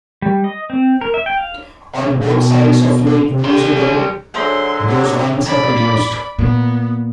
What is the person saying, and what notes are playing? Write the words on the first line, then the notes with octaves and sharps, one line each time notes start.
On both sides of lake Neusiedl those wines are produced.
G3
D#5
C4
A#4
E5
G5
F5
B2
G3 G4 C6
D3 F#3 G#4 C5 E5 C6
D5 B5
A#2 B3